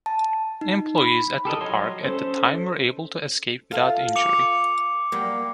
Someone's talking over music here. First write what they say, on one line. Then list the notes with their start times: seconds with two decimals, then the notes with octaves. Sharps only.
Employees at the park at the time were able to escape without injury.
0.06 A5
0.61 D#4
0.98 B5
1.45 G4 A4 A#4 D#5
1.61 F#3 C#5 D#5 C6
2.04 C#4 A4 C5
3.71 F4 A4 F5
4.16 D6 C#7 F7
5.12 F#3 G3 A#3